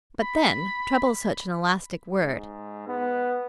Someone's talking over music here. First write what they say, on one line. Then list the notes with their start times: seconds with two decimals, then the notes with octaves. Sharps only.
But, then, trouble is such an elastic word.
0.21 B5
2.21 G#2
2.88 B3